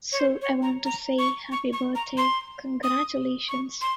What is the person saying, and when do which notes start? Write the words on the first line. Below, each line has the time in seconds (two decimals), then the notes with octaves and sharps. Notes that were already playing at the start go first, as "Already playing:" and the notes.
So I want to say, Happy birthday, congratulations.
0.12 C#5
0.19 C5
0.42 C#5
0.63 A#5
0.86 A#5
1.19 C#6
1.52 C#6
1.73 C#6
1.95 A#5
2.18 C6
2.83 D#6
3.49 C#6
3.81 C6